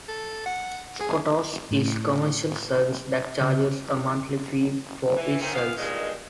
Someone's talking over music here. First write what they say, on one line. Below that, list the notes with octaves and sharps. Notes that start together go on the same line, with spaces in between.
Skotos is a commercial service that charges a monthly fee for its services.
A4
F#5
G#4
A2
C#3
E3
D#3 E3 A#3 C4 C#4
E3 B3 F5
G2 A#2 D#3 G#3